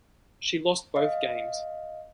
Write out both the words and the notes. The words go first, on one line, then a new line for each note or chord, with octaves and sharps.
She lost both games.
D#5 F5